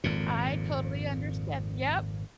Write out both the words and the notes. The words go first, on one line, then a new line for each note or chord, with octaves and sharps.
I totally understand yep.
G#1 F2 A#2